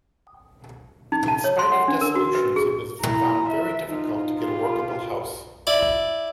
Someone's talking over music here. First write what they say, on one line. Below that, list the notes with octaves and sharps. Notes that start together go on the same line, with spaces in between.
In spite of dissolutions it was found very difficult to get a workable house.
D#4
A5
C#5
C6
F#5
D4
A#4
F#4
B4
G#4
E4 A#5
E5
D#4 F4
F4 G4
E4 D5